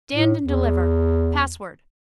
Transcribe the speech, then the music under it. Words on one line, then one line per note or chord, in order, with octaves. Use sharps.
Stand and deliver. Password.
A2
E2